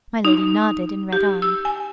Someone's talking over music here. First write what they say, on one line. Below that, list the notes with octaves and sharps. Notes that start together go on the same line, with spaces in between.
My Lady nodded, and read on.
D#4
G4
E6
G#5